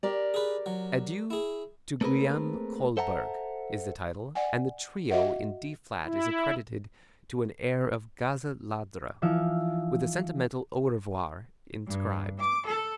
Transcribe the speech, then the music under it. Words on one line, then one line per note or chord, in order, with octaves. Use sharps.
Adieu to Guillaume Kolberg, is the title, and the Trio in D flat is accredited to an air of "Gazza Ladra," with a sentimental Au Revoir inscribed.
G4 A#4 D5
G#4 B4
F#3
E4 G#4
A3 A#3 C4 G#4 A#4 B4
A4 C5 E5 F#5 A5 A#5
D5 F#5 G#5
F#4 D#5 E5 F#5
E4
E3 F3 D#4 E5 F5 E6
G2
D6
A4